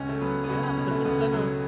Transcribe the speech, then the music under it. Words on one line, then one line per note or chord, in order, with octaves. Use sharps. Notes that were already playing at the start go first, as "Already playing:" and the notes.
yeah, this has been a f
Already playing: C#2 C#4
A3
F#3 B3
B3
C#2 C#4
C#4
B2 B3
A3
C#2 B3
F#3